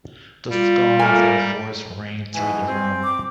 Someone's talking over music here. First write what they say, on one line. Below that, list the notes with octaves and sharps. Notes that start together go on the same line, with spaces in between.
The scorn of her voice rang through the room.
G3 F4
A3 A#3 A#4 G#5
G#2 B2 E3 G#5
C4
D6